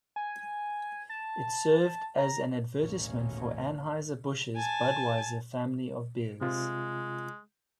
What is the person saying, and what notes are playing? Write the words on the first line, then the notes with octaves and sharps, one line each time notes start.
It served as an advertisement for Anheuser-Busch's Budweiser family of beers.
G#5
A5
A#5
A1 D#2 B2 A#3 C#4
G#5 A5
C3 G#3 F4